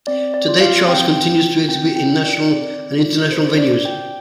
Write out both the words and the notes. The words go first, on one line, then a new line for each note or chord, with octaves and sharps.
Today, Charles continues to exhibit in national and international venues.
C4 D5
D5
F4
F5
C4 G5
F4
C4 G5
G5
F4
D5
C4 D5
F4
C4 C5
D5
G4
G5